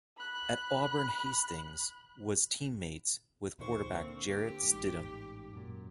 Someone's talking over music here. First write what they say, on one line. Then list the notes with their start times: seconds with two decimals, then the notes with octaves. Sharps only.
At Auburn Hastings was teammates with quarterback Jarrett Stidham.
0.17 B5 F#6
3.59 D2 A#2 D#3 C5 C#6
3.92 D3 A#3 C4
4.26 G4
4.63 A1 G#2
5.53 F#2 A#2